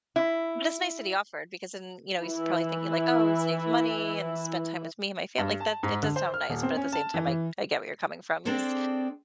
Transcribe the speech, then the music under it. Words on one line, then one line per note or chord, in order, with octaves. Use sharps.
But it's nice that he offered because then, you know, he's probably thinking like, "Oh, save money and spend time with me and my family." like, that it does sound nice, but at the same time, I I get where you're coming from, because,
E4
E3 E4
G2
A5
G#2
D3
C5
F6
D#1
C4
C#4
A5
E3
E3
C4 D4 G#4 A4 C5 D5